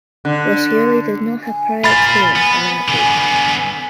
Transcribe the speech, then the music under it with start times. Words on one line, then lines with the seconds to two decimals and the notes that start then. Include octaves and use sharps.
Roscioli did not have prior experience running a ballpark.
0.25 D3
1.43 G#5
1.84 F4 A#4 B5 A6
2.36 B3 G#5
2.88 D3 B3